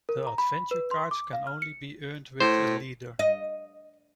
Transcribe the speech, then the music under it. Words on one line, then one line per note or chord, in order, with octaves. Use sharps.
The adventure cards can only be earned with a leader.
A#4
A#5
B5
B4
C6
D6
F5
F6
C#7
A2 C5
D#5